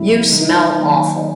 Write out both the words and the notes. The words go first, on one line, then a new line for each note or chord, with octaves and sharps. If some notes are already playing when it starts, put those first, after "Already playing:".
You smell awful.
Already playing: E2 C3 F3 G#3 C4 E4
C3 E3 G3 D#4
D#3 F#3 A#3